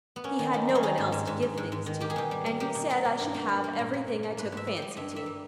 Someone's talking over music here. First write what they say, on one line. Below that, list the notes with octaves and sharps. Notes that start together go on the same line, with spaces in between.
He had no one else to give things to, and he said I should have every thing I took a fancy to.
B3
A#3 C#4
D#3
A#3 D#4
G3
C#4
D#3 D#4
G#2
G#2
G#2
G#2
G#2
G#2
D#3
A#3 G4
G#4
B2 G4
G3
A#3
A#3 G4
B2
G3 A#4
B2
G2
A#3
G2
A#3
A#2
A#2
A#2
A#3
G#2 B4
G#2 E5
G3
G5
G3
D#5
G2 E5
A#3 E5
G3